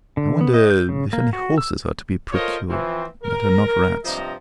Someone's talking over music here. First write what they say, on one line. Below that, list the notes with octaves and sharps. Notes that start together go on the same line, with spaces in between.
I wonder if any horses are to be procured that are not rats.
D3
B3
D#5
G6
C#3
A#3
F#4
E6
F4 A4 A#4 C5 C#5 D#5
E3 F3 C4
A#4
G2 C3 F3 C5 D#5 A#5